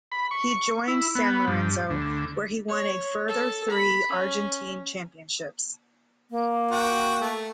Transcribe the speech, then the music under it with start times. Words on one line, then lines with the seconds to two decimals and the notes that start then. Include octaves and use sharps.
He joined San Lorenzo where he won a further three Argentine championships.
0.12 B5
0.31 C#6
0.88 E4
1.15 B3
1.47 G2
1.90 D2
2.69 C#5
3.28 A4
3.70 B5
4.11 C#4
6.31 A#3
6.71 F#4 G5
7.21 A3